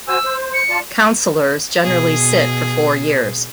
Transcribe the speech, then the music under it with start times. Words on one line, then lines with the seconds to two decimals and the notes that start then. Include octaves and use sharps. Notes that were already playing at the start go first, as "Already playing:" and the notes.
Councillors generally sit for four years.
0.08 F#4 C5 G#5 E6
0.24 C5
0.54 C#7
0.69 F4 D5 A5
1.84 B2 G#4